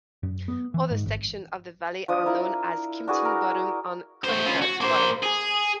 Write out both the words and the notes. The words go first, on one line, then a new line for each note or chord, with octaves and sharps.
Other sections of the valley are known as Kimpton Bottom and Codicote Bottom.
F#2
B3
E3
G#2
G#1
F3 D4 D#6
E4 A#4
D4 F#4 G#4 B4
A#4
A3 C5
C#4 F4
F#4
A#3 C5
G#4